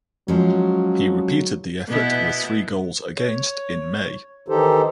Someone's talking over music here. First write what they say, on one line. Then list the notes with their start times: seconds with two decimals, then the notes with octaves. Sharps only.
He repeated the effort with three goals against in May.
0.28 F3 F#3 G#3 C#4
1.88 B2 B3 E4
3.17 C#5
4.48 D#3 E3 D#4 G4 A4 C5